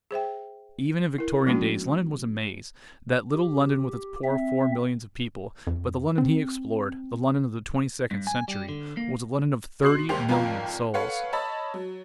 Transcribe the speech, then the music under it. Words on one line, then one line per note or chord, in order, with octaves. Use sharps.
Even in Victorian days London was a maze, that little London with its poor four millions of people; but the London he explored, the London of the twenty-second century, was a London of thirty million souls.
G#4 C5 E5 G5
E4 A#4
F3 G#3 A#3 C#4 D4 F#4
G4
C4 E5
F2
C4
G2
G#5
G3
D3
A#3
B2 C6 C7 F#7
G#1 D#2 G4 C5 G5 F7
G#1 F2 F4 G5 A#5
A4 B4 C#5 F5 F#5
C#5 D#5 A5 B5 E6 A6
F#3